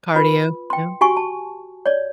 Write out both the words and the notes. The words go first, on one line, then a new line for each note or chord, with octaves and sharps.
Cardio? No.
F4 B4
G5 C6
F#4 G4 G#5 C#6
A5
C#5 D5